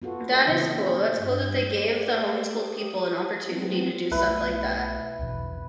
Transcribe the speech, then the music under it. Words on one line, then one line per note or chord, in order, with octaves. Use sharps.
That is cool. That's cool that they gave the homeschooled people an opportunity to do stuff like that.
B3 F4 F#4 A4
A4 D#5
A#2 C#3 E3 F#3 C4 E5
C4 C#4 E4 F4
G2 G6 G#6
G4 C5 D5
D#6
F#3 B3 C4
B1 A3 B3 E4 B4
A#1 E2 B2